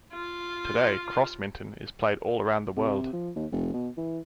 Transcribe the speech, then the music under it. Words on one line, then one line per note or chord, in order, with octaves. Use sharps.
Today, Crossminton is played all around the world.
F4
C3
F3
D#2
F1
B2
E3